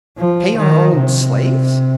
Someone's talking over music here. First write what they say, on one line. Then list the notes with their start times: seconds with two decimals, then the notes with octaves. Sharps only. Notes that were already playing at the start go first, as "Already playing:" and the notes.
"Pay our own slaves?"
0.17 F3
0.56 D#3
0.95 C3